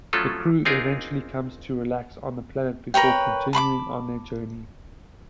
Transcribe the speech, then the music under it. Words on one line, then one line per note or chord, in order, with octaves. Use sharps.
The crew eventually comes to relax on the planet before continuing on their journey.
F3 F#3 A3 C#4 F4 A4
C4 D4 D#4 F4 G#4 A#4
A#4 B4 C#5 G5
A5 B5 C6 D6